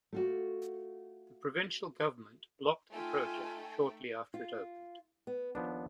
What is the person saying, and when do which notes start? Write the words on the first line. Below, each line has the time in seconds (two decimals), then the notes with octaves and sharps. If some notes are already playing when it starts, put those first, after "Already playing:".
The provincial government blocked the project shortly after it opened.
0.13 A3 F4 F#4
2.92 A3 D#4 F4 G5 G#5
4.34 F4
5.27 B3
5.55 D#2 F3 B3 D4